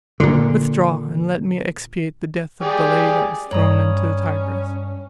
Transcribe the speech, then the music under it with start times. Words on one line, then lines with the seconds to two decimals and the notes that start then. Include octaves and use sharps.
Withdraw, and let me expiate the death of the lady that was thrown into the Tigris.
0.20 A#2 D3
2.62 G4 G#4 D5
3.51 G2 C#4 C#5 A#5 D#6